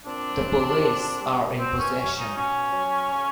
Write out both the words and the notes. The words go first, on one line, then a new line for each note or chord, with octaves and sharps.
The police are in possession.
A#2 C4 D4
G3
A#2
G3
B2 C4
C#4
F#3 C#4
C#4 D#4
B2 C#4
F#3
C#3